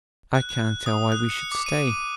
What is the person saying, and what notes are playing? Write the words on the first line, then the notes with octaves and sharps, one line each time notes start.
'I can't tell why we should stay.
F#6
F#6
D#6
F#6
C#7
D6
D#7